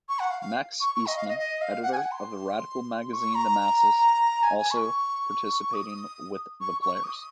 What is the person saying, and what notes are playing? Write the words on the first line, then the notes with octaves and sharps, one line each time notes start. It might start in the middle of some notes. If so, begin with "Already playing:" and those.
Max Eastman, editor of the radical magazine The Masses, also participating with the Players.
C#6
F#5
F5
F5
C#6
C#6
D#5
F5
D#5
D#5
F5
F#5
G#5
F#5
C6
C#6
A#5
G#5
G#5
C#6
D#6
C#6
C#6
D#6